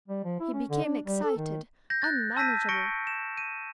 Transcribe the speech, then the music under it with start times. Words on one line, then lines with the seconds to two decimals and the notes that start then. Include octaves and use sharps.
He became excited, unmanageable.
0.08 G3
0.24 F3
0.40 E4
0.53 C#4
0.70 D3
0.84 D4
1.06 G3
1.23 A4
1.37 D#3
1.90 G6 A#6
2.02 F#6 A6
2.37 A5 E6 G6 A#6 B6 D#7
2.69 C#6 A#6 C#7 D7
3.07 E7
3.37 D#7